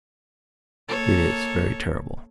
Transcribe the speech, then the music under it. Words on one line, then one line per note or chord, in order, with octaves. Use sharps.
It is very terrible....
A#3 A4 C#5